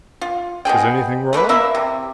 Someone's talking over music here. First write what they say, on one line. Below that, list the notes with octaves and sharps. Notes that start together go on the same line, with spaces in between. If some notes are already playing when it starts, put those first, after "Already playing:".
"Is anything wrong?"
F4
B2 C#4 G#4 G5
A3 A#3 F4 B4
A#3 E4 E5
C3